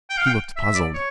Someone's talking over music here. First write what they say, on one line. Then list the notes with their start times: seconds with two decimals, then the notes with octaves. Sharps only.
He looked puzzled.
0.10 G5
0.18 F5
0.27 G5
0.57 E5
0.67 E5
0.75 D5
0.94 C#5